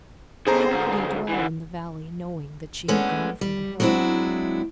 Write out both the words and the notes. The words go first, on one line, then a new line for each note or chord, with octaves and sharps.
How could he dwell in the valley knowing that she had gone from the hill?
B2 D3 G#4 C5 A#5
C#2 D3
D3 E3
G#3 A3 B3 C#4 D4
G3
F#3 G#3 C4 D4 E4